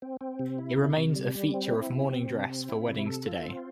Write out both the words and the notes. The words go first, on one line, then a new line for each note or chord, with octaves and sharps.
It remains a feature of morning dress for weddings today.
C4
C4
C3
E4
C3
C3
G3
G3
C4
E4
C3
C4
C3
C4
E4
C3
A4
F4
C4